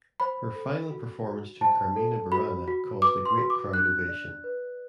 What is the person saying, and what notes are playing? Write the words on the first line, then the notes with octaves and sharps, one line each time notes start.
Her final performance to Carmina Burana caused a great crowd ovation.
C5 B5
A4
F#4
F#4
C5 A5
A4
F#4 B5
F#4
B4 D6
C6
F#4
D6
D4 F#6
D5
B4